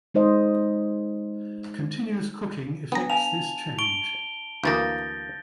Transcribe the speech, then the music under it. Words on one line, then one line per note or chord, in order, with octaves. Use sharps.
Continuous cooking effects this change.
G#3 D#4 C5 D#5
B3 D4 A#5
F5 G#5 A5 F7
C#6 D7 G7
D2 E3 A#3 F5 D#6 G6 A6 A#6